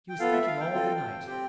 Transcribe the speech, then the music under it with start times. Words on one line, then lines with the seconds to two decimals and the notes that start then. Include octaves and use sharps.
He was thinking all the night.
0.09 G5
0.19 B3 F4 A4 F5
0.32 E5
0.46 F5
0.60 G5
0.73 C4 F4 A4
1.27 C4 G4 G5